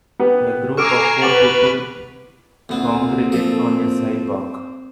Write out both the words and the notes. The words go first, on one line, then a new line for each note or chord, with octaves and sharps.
A group of four people congregate on a sidewalk.
B3 G4 B4
A4 G#5 A#5 C#6 D6 F6 C7 D7
B4 F#5 C#6 D6 A6 F7 F#7
D2 A#2 B3 C4 C5
F3 A4